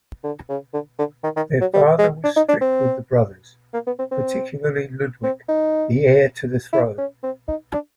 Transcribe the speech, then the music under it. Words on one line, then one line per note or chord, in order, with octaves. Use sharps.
Their father was strict with the brothers, particularly Ludwig, the heir to the throne.
D3
C#3
D3
D3
D#3
D#3
F#3
G3
G#3
D4
D#4
D4
C4
A#3
B3
C4
C4
C4
D#4
E4
C#4
C4
D#4
D4